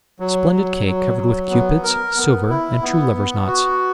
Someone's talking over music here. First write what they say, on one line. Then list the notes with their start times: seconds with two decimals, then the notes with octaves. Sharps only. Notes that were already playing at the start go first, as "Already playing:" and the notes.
Splendid cake, covered with Cupids, silver, and true-lovers' knots.
0.20 F#3
0.52 F#3
0.85 F#3
1.18 F#3
1.50 B3
1.83 A#4
2.16 B3
2.49 E4
2.82 B3
3.15 B3
3.47 F#4